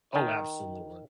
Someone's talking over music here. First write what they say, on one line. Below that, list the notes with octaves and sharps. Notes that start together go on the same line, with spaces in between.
Oh, absolutely.
D#3